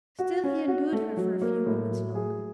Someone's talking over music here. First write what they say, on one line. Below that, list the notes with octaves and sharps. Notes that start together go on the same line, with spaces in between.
Still he endured her for a few moments longer.
F#4
C#4
F#4
A3
F#3
A#3
A2
F#3
G#4